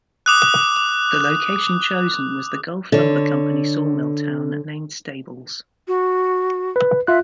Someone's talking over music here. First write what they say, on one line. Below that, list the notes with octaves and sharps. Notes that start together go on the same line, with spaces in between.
The location chosen was the Gulf Lumber Company sawmill town named Stables.
D6 D#6 F#6
D3 C#5
F#4
B4
F4 E5 F#6